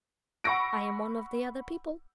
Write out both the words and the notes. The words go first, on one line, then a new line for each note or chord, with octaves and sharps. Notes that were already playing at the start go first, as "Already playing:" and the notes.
I am one of the other people.
F#5 B5 C#6 E6 A#6 D7